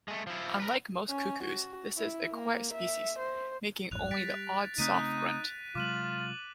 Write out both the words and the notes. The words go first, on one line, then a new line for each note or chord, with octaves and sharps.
Unlike most cuckoos, this is a quiet species, making only the odd soft grunt.
G#3 A3
F3 E4
A#4 B4
C#4
F#4
E4
A#3
E5
C5
A1 F2 G#2 F#6 F7
G3 A6 B6 D7
C#3 A3 C4 D#4 F#6 B6 D#7
C3 F#3 G#3 F4 D6 D#7 F#7